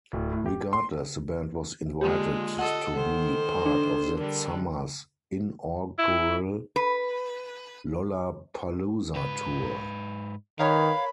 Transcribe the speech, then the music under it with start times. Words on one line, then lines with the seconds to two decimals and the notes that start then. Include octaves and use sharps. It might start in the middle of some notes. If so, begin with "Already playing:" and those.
Regardless, the band was invited to be part of that summer's inaugural Lollapalooza tour.
0.13 D1
0.32 A2
0.46 G4
0.73 C6
2.01 D3 G#3 A#3 F4 G4
2.59 A4 D#5 F#5
2.93 D#3 A4 C5
3.66 D4
4.17 D3 G3 A#4
5.98 E4
6.76 B4
9.16 G#2 B4
10.59 D#3 A#4 B4 C#5 F5 B5